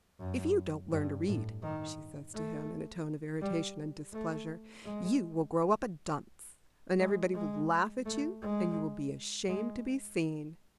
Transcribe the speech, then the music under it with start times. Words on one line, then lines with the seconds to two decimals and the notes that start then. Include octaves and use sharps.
"If you don't learn to read," she says to him, in a tone of irritation and displeasure, "you will grow up a dunce, and every body will laugh at you, and you will be ashamed to be seen."
0.19 F#2
0.92 G2
1.27 A2
1.62 D#3
2.34 A3
3.41 G3
4.13 A3
4.84 G#3
6.99 G#3
7.34 G#3
8.06 A3
8.42 G#3
9.48 G#3